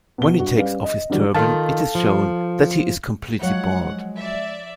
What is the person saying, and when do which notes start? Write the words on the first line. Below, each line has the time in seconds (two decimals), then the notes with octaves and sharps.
When he takes off his turban, it is shown that he is completely bald.
0.18 B2 G7
0.39 G2 F#4
0.57 G3 C#4 B4 F5
0.84 D#5
1.10 D3 E3 G3 F#4
1.34 D#3 F4 A4 F5 A5
1.95 F3
3.42 F3 F#3 G#3 C#5 F5 F#5
4.19 D5 E5